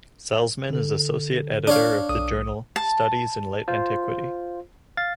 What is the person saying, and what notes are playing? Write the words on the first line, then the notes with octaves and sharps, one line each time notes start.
Salzman is Associate Editor of the Journal "Studies in Late Antiquity".
D3 A4
D4 C#5 F5
B1 D#6
A5
F4 C5
F5 A6